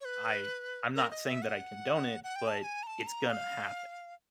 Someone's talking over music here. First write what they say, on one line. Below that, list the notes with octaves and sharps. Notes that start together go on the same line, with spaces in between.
I I'm not saying that I condone it, but it's gonna happen.
C#5
B4
A#4
D#5
E5
F#5
F#5
G5
A5
A5
G#5
A#5
A5
A#5
F5